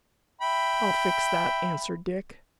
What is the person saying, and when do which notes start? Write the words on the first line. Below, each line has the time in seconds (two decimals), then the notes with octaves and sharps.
"I'll fix that," answered Dick.
0.41 E5 G5 B5